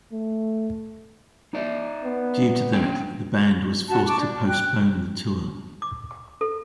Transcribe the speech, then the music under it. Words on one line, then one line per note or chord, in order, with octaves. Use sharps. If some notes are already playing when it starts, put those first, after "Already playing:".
Due to that, the band was forced to postpone the tour.
A3
D#4 D5 E5
B3
C#4 D4 G5
F#4 A5
A5 C#6 D6
D4
G5 F#6
D6
A4